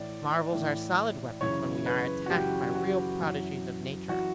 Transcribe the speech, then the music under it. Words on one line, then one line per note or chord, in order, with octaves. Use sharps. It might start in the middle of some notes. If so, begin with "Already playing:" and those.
Marvels are solid weapons when we are attacked by real prodigies of nature.
Already playing: A2 E3 D5
A2 E3
F#2 C#3 E3 C#5
B4
F#4
F#2 C#3 E3 G4
F#4
F#2 E3
E3 F#4